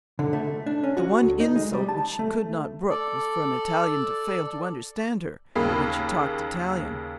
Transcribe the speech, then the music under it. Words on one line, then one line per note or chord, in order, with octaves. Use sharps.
The one insult which she could not brook was for an Italian to fail to understand her when she talked Italian.
D3
A3
D4
C#4
F#4
D2
D#4
G#3
G3
A5
A3
A4 D5
D#2 C#3 A#3 B5